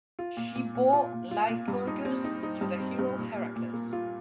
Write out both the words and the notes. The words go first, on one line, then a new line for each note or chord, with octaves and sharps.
She bore Lycurgus to the hero Heracles.
F4
A#2
A#2
A#2
F4
A#2
F4
A#2
G2
D#4
C4
D#4
D#4
G2
C4
G2
A#2
A#2
A#2
A#3
F4